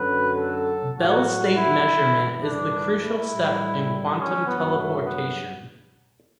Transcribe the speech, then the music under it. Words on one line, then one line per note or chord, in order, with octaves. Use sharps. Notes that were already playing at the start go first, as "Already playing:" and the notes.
Bell-state measurement is the crucial step in quantum teleportation.
Already playing: F#2 D3 F#3 B4
A4
A2 F#3 F#4
F#4
E4
G2 E3 G3
D4
E4
A2 G3
C#4
G2 F#3 B3
A3
B3